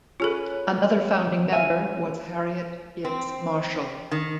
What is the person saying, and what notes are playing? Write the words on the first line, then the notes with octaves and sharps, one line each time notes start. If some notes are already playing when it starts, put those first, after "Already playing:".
Another founding member was Harriet Gibbs Marshall.
C#4 F4 G#4 A4 B4
E5 F5 G#5
C4
D#3